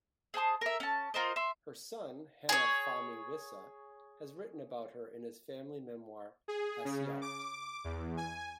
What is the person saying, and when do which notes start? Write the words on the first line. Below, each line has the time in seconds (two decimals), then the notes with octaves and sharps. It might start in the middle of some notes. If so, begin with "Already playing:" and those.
Her son Hanna Fahmy Wissa has written about her in his family memoir "Assiout".
0.34 G#4 C5 A5 D#6
0.61 A#4 E5
0.80 C#4 A5
1.14 F4 A#4 C5 D#5
1.36 E5 C6
2.49 G#4 C#5
6.48 G#4
6.85 C#3
7.22 D6
7.84 E2
8.17 G#5